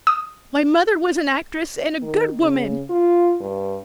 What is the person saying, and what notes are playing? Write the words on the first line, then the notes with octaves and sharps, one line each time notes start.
My mother was an actress and a good woman.
D#6
D#3
C#3
F4
G2